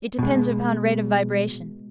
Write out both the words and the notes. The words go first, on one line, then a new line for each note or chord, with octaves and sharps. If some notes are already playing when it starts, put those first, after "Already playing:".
It depends upon rate of vibration.
B2 G#3